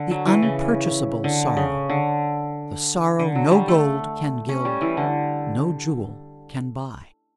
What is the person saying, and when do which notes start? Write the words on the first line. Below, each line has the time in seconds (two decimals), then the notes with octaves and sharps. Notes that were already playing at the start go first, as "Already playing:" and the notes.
The unpurchasable sorrow--the sorrow no gold can gild, no jewel can buy!
Already playing: D3
0.11 F#3
0.27 E3
0.42 C#3
1.24 D3
1.57 C#3
1.89 D3
3.19 D3
3.35 F#3
3.51 G3
3.68 A3
4.49 C#4
4.65 G3
4.81 E3
4.97 D3